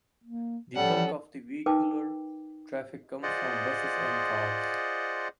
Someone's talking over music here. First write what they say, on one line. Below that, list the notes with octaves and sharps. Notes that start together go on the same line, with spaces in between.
The bulk of the vehicular traffic comes from buses and cars.
A#3
F3 G3 C#4 A4 F#5
D#4 A#4 B4 G5 D6
F4 G#4 C5 D5 D#5 F#5